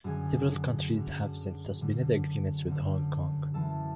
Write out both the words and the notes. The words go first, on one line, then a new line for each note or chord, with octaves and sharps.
Several countries have since suspended the agreements with Hong Kong.
F#2 D3 G#4 G#5
F#2 D3
F#2 D3
F#2 D3
F#2 E3 A4 A5